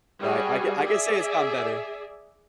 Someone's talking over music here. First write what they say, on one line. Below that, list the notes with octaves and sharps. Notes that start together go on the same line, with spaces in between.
But I I c I can say it's gotten better.
G3 F#4 G#4
G#4 D5 E5